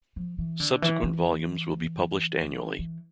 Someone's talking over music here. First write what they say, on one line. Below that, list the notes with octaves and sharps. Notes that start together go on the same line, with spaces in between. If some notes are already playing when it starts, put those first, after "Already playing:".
Subsequent volumes will be published annually.
F3
E3
D3
E3
E3
E3